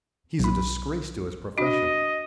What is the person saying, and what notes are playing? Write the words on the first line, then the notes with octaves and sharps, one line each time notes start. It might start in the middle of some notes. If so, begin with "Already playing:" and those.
"He's a disgrace to his profession!"
B1 B5
D4 F#4 D#5